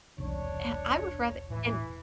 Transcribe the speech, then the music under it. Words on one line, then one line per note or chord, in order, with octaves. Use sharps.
I I would rather and
E1 C2 D4 C#5
A2 E3